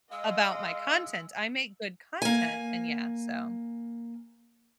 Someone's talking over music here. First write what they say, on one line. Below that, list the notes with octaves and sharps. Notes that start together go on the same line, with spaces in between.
about my content, I make good content, and yeah, so
G#3 D#5 F5 E6
A#3 G#5